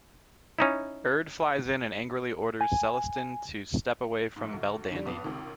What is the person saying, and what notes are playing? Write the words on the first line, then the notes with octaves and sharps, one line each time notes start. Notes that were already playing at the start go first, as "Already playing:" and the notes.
Urd flies in and angrily orders Celestin to step away from Belldandy.
C#4 D#4 E4
G#5
A#1 G#2
D2
D3 D#3 G3
B1 G2 B3 D6 D#6
C#2 C3 D#3